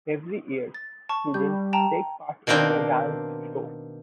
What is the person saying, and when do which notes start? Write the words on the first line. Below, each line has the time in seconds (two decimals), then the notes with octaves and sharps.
Every year, students take part in the Dance Show.
0.74 A6
1.09 A5 C#6
1.34 G3 G6
1.73 G5 A5 A#5
2.47 B2 D#3 A#3 C4 D4